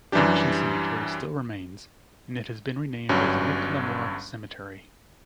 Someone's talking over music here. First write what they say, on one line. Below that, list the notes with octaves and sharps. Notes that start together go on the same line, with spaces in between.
The mission cemetery still remains, and it has been renamed as McLemore Cemetery.
F#2 E3 G3 D4 G4
G1 G2 F#3 C#4